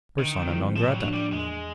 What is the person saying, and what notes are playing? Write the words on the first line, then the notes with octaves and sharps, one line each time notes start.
Persona non grata.
D3 D#3
F3 G#3 C4 E4
A2 F3
G3
F#3
F3 A#3 D4
G3
E2 G#3